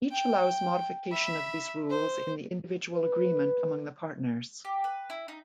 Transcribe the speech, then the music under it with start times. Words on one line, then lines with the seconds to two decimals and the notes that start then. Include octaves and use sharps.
Each allows modification of these rules in the individual agreement among the partners.
0.11 G5
1.12 E5 B5
1.89 C5
2.95 B4
4.65 G4
4.84 B4
5.10 E4
5.28 D#4